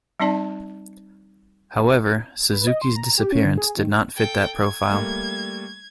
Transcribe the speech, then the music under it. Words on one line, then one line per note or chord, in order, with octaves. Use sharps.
However, Suzuki's disappearance did not fit that profile.
G3 C4 D#4 D5 A5
B4
D#5
C6
A#5
G4
C#4
D3
G#4
D#3
A4 G5
G#6
G3 A3 A#3